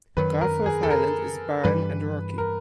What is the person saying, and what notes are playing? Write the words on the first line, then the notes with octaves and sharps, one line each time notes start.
Garforth Island is barren and rocky.
F#2 D#3 F#3 B4
A#4
G#4
A4
A#4
G2 E3 G3 B4
A#4